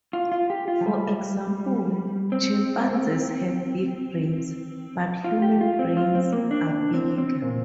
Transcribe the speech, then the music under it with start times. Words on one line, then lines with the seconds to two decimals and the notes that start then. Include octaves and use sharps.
For example, chimpanzees have big brains, but human brains are bigger.
0.13 F4
0.32 F4
0.50 G4
0.68 F4
0.81 F3
0.86 G3
2.32 C4
5.24 F4
5.42 G4
5.61 F4
5.79 C4
5.97 F4
6.15 C4
6.33 A#3
6.51 D4
6.69 D4
6.94 C4
7.18 C4
7.42 A#2